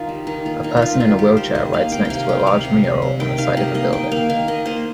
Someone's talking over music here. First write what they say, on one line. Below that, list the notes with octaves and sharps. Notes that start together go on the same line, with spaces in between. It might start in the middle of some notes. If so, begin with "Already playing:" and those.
A person in a wheelchair rides next to a large mural on the side of a building.
Already playing: D#3 D#4 F4
G3
D#3 D#4
A#3 F4
D#3 D#4
D#4
D#3 F4
D#4
D#3 F4
D#3 G4
G3 C5
D#3 D#5
A#3 F5
A#3 G5
G5
C3 F5
C3 G5
G3 F5
C3
C3
C3
D#3 G5
D#3 F5
G3 D#5
A#3 D#5
D#3 G5
A#3 F5
D#3 F5
D#3 D#5
A#3 C5